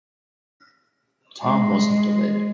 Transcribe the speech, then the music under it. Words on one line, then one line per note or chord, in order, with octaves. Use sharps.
Tom wasn't delayed.
G#3